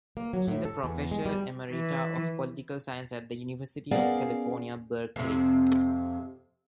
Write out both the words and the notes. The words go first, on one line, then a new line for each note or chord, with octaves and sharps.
She is a Professor Emerita of Political Science at the University of California, Berkeley.
A#3
F#3
A2
A4
E2
G#3
G3
E3
B3 C#4 G#4 A#4 D5 F5
F2 C3